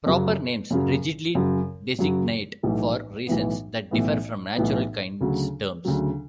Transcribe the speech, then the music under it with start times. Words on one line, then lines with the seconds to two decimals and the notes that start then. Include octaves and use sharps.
Proper names rigidly designate for reasons that differ from natural kinds terms.
0.06 F#2 C#3 F#3
0.70 F#2 C#3 F#3
1.35 F#2 C#3 F#3
1.98 F#2 C#3 F#3
2.63 B1 A2 E3 B3
3.27 B1 A2 E3 B3
3.91 B1 A2 E3 B3
4.56 B1 A2 E3 B3
5.21 D2 C#3 F#3
5.85 D2 C#3 F#3